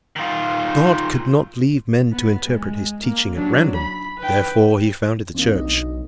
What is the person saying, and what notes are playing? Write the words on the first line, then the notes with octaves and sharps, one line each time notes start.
God could not leave men to interpret his teaching at random--therefore he founded the Church.
D#3 F4
B3
G#3
A#3
F#3 D4
B5
B4 G5
E2 A#3 C4 D4 D#4
B1 D#5